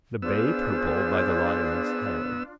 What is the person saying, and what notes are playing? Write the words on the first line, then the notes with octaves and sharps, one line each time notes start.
The bay purple by the Lion's head.
B3 D4 F4 G#4 C5 E6